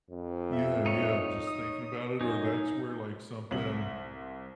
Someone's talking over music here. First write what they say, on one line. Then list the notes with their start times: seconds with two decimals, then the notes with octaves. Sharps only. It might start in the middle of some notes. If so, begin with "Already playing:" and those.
Yeah, yeah. Just thinking about it or that's where, like, something,
0.11 F2
0.52 E5
0.86 D#4 C#5
1.47 D#6
2.21 F#2 D#4 G#5
3.51 C2 C4 F#7